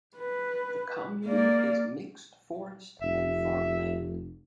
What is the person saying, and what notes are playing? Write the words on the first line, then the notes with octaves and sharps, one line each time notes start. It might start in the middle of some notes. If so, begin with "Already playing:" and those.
The commune is mixed forest and farmland.
B4
A#3 D5
F1 E5